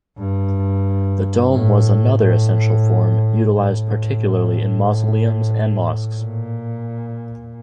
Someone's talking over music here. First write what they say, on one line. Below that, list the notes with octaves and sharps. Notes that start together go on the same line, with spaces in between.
The dome was another essential form utilised particularly in mausoleums and mosques.
G2
A2
A2
A2
A#2